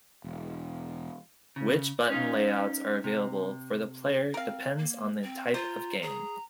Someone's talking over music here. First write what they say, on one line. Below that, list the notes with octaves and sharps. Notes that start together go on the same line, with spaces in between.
Which button layouts are available for the player depends on the type of game.
E1
C#3
C#4 D#4 F4
C3
C4 A#4 F5
A#3
C4
F4 C5 A#5
G#4 A#5